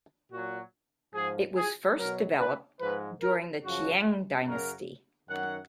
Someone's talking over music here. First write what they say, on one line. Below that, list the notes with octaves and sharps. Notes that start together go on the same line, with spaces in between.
It was first developed during the Qing dynasty.
A#2 F#3 F#4
G#2 F3 G#4
G#4
B2 F#3 A#4
B4
G#2 F3 B4
A#4
F#2 C#3 F3 F#4
F#2 C#3 F#3 A#4
F#2 D#3 F#3 F#5